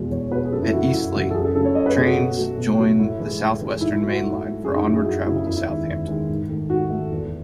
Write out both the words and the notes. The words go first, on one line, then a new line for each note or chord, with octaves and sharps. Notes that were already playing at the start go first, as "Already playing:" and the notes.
At Eastleigh, trains join the South Western Main Line for onward travel to Southampton.
Already playing: E2 B2 G#3
E2 C#5
B2 G#3 B4
G#4
F#2 A4
E4
C#3 E3 F#4
F#4
F#2 E4
C#3 E3 F#4
A4
F#2 G#4
A4
C#3 F#3 A3 A4
C#5
F#2 D#5
B4
C#3 F#3 A3 G#4
F#4
B2
F#3 A3
B2
F#3 A3
A2 E4
E3 G#3
A2
E3 G#3
G#2 E4
E4
F#3 A3
F#4
G#2
F#3 A3
F#2 G#4
D#4
C#3 F#3 A3 E4
G#4
F#2 F#4
C#3 F#3 A3 E4
E2 E4
E4
D#3 G#3
E2
D#3 G#3
G#2
D#3 A3
G#2 F#4
D#3 A3
E2